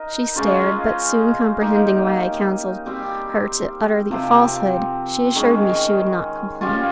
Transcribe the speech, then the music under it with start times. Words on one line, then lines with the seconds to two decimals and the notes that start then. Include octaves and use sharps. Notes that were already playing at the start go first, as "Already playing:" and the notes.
She stared, but soon comprehending why I counselled her to utter the falsehood, she assured me she would not complain.
Already playing: D#4 A#4
0.36 G#3 C#4 F4 C5
1.61 A#3 D#4 G4
2.86 G3 C4 G4
4.11 C3 F3 C4 G4
5.36 D#3 G#3 C#4
6.61 G3 C#4 F4